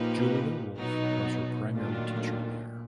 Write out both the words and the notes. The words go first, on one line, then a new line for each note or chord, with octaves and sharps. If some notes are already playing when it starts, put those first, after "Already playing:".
Julia Wolfe was her primary teacher there.
Already playing: A#2 F3 A#3 D#4 G4 B4
B2 F#3 B3 D#4
A#2 D#3 F#3 A3 D4 F4